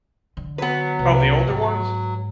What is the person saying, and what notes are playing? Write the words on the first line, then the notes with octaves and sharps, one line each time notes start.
Oh, the older ones?
D3
F#3 B3 B4
C2
G#2